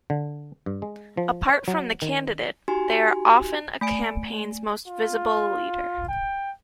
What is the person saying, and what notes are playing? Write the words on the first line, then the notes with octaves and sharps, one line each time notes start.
Apart from the candidate, they are often a campaign's most visible leader.
D3
G2
G#3
F3
C#5
F#3
D#3
D#4 F#4 G4 G#5 C6
A3 G#5 D7
F4
G5